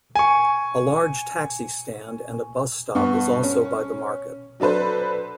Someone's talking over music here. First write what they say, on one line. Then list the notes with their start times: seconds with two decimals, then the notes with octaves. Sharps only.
A large taxi stand and a bus stop is also by the market.
0.16 G#5 C#6
2.95 G2 B3 C#6
3.43 C#4
4.60 F#3 D4 A4 B4 C5